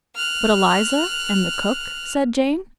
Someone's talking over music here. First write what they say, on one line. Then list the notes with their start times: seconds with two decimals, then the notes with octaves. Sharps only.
'But Eliza, and the cook?' said Jane.
0.16 F6 F#6